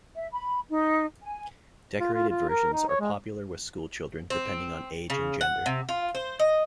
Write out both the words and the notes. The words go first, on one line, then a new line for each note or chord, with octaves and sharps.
Decorated versions are popular with schoolchildren depending on age and gender.
E5
B5
D#4
G#5
F4
F4
F4
A#4
D#4
C#5
G#3
C4
C#3
F#5
C3
F4
C5
D#5